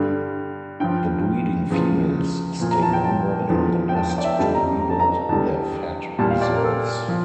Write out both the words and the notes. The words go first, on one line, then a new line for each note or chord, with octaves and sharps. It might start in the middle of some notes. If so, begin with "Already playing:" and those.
The breeding females stay longer in the nest to rebuild their fat reserves.
Already playing: G2 D3 G3
G2 F3 G5
E2 C#3 F3
A#2 F3
A#5
A5
G5
A5
E2 D3 F3
G5
A5
G5
D5
E5
F2 D3 G3 A5
A#5
A#5
A5
A#5
E2 D3 G3 A5
A#2 G3 A5
F5
D5
A#4
A4
F3